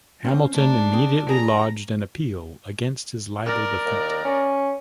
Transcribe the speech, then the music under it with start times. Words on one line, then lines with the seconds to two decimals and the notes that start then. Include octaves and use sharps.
Hamilton immediately lodged an appeal against his libel defeat.
0.25 C4 C#4 C5
0.54 A3 D4 A#5
0.93 C4 G#4
1.29 G#4 G#5 A#5
3.46 A#4 D5
3.85 D#2
4.25 C#4